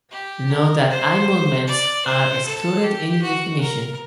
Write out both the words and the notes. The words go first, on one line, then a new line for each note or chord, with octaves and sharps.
Note that eye movements are excluded in the definition.
G4
A#4
C5
D5
C5
A4
G4
F#4
A#4